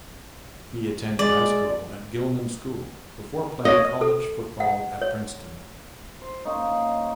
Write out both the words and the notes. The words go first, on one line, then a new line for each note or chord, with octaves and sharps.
He attended high school at Gilman School before playing college football at Princeton.
G#3 D5
C#5 D#5
A4
F#5
C#5
C5
A#3 C#4 D#4 C5